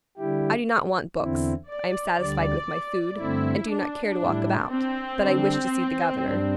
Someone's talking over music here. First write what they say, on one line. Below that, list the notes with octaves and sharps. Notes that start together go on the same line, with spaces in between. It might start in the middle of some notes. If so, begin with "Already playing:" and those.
"I do not want books, I am satisfied with my food, and do not care to walk about; but I wish to see the governor."
D3 G3 E4 G4
E2 D3 C4 E4
D5
D2 D3 G3 D5
G2 D3 A3 C4 E4
D4
A2 G3 E4
C4
D3 G3 D4
G2 G3 D4